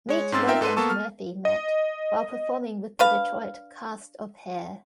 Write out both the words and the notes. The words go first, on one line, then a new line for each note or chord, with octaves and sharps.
Meat Loaf and Murphy met while performing with the Detroit cast of "Hair".
G#3 C#5
G#2 C4 C#4 C6 E6 A6
C4 D#4 F4 A#4 E5 G5
G#2 A4 B4 C6 D#7
A#3 B3 A4 A5 C#6 E6
F6
D#5
D4 B4 F5